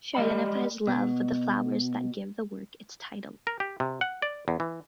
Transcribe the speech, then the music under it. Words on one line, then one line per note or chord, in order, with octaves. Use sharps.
She identifies love with the flowers that give the work its title.
G3 G#3 D#5 B5
B2
A#4
G4
C3
F#5
D5
E2
E3